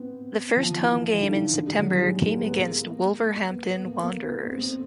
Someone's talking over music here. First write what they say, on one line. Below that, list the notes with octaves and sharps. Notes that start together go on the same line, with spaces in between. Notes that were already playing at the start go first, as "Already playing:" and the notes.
The first home game in September came against Wolverhampton Wanderers.
Already playing: B3 C4
F3
E3
E3
D3
D#3
D3
G3
F#3
G3
G#3
G#3
B3
A#3
B3
B3
A#3
A#3
B3
C4
C4